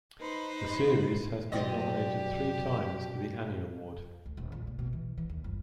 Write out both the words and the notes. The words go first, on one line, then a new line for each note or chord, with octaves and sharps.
The series has been nominated three times for the Annie Award.
D#4 B4 C5 B5
F#2 B2 B3 G4 D5 D#5
D2
D#1
A#1
A#2
B2
E3
E3
D#2
G1